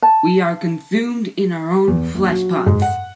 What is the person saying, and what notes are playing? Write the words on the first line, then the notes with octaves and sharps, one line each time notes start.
We are consumed in our own flesh-pots.
A5
E2
A#1
F#3
G#2
F#5